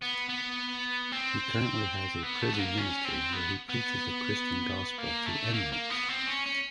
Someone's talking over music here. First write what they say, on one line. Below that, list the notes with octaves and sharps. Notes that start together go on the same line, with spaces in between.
He currently has a prison ministry, where he preaches the Christian gospel to inmates.
B3
B3
C4
B3
A3
B3
A#3
C#4
C4
B3
B3
A#3
A3
A#3
A#3
B3
C4
C#4
C#4